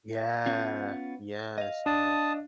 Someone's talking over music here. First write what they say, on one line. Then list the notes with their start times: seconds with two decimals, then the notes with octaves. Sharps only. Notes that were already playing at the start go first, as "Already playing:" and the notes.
Yeah. Yes, yes.
0.46 B3 C#4 F4
1.58 D#5 F5
1.86 D4 A5 D#6